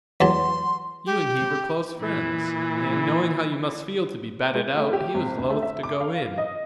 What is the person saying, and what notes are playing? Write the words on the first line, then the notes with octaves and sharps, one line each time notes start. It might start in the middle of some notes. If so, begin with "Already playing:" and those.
You and he were close friends, and, knowing how you must feel to be batted out, he was loath to go in.
E2 F#3 A5 C6
G4
A#2 E3
G#3
A3
G4
G#1
D2
A3
E5
D6
F5
D#5